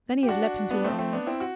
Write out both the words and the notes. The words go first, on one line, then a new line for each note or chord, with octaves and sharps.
Then he had leapt into her arms.
G4
D4 F#4
B3 D4
A3 C4
A3 C4
B3 D4
C4 E4
F#4